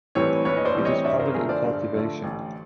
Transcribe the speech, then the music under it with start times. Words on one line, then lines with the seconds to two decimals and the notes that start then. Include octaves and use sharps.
It is common in cultivation.
0.15 A2 E3 G3 C4 B4 C#5
0.45 A#1 B4 C#5
0.57 D#5
0.65 C5 D5
0.75 A2 E3 G3 C4
0.85 C#5 D#5
1.04 G2 D5 E5
1.19 A#4 C5
1.34 D3 F3 A3 G#4 A#4
1.49 C5 D5
1.64 G2
1.94 D3 F3 A3
2.24 A1